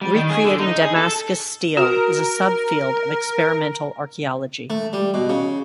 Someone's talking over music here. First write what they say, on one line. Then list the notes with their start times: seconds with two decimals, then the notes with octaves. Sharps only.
Recreating Damascus steel is a subfield of experimental archaeology.
0.01 G3
0.15 D#3
0.30 G#4
0.45 D3
0.60 D#4
0.82 G#4
0.96 A4
1.77 F#4 A#4
4.70 A3
4.93 G3
5.14 B2
5.29 C#3